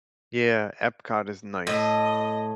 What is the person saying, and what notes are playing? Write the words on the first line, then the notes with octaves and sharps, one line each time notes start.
Yeah, Epcot is nice.
A2 D#5